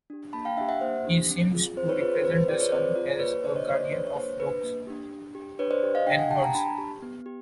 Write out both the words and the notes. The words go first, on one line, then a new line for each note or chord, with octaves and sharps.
He seems to represent the sun as a guardian of flocks and herds.
D4 G4
A#3 A5 B5
F5 G5
D4 G4 E5 F#5
E5 F#5
A#3 C5
D4 G4
C4
F4 G#4
C4 C5
B4 C#5
F4 G#4 B4 C#5
C5
C4 B4
C5
F4 G#4 C5 D5
B4 C#5
C4 C5 D5
F4 G#4 C5 D5
A#3 B4 C#5
D4 C5 D5
G4
C#5 D#5
A#3 C5 D5
D4 G4 B4 C#5
C#5
A#3 C5
D4 G4 B4
A#3
D4 G4
D4
G4
D4 B4 C#5
C5 D5
G4
D#5 F5
D4 F5 G5
F#5 G#5
G4 G5 A5
G#5 A#5
D4 A5 B5
G4
B3
G4